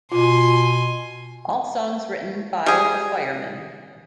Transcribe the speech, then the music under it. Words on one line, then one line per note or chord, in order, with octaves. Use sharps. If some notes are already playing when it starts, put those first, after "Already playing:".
All songs written by The Fireman.
B2 F4 G#5 C6
G3 G#4